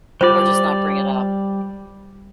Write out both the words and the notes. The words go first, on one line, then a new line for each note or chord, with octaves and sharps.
Or, just not bring it up.
G3 F4 C5 D5